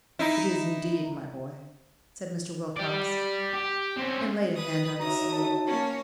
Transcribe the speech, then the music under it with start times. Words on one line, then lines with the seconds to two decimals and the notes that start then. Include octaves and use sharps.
"It is, indeed, my boy," said Mr. Wilcox, and laid a hand on his sleeve.
0.19 D#4 E4
2.76 G4 D5
3.53 G4
3.97 C4 C#4
4.55 B4 D#6
5.00 D#4 F#4 C#5 E5 A#5 D#6
5.32 A5
5.66 A#3 C#4